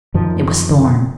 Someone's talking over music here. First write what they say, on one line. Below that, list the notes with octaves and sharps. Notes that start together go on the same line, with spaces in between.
It was Thorn.
F#2 D#3 F3